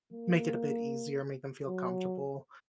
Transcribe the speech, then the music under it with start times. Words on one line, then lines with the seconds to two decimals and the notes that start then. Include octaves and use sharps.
make it a bit easier, make them feel comfortable.
0.12 A#3
1.68 F#3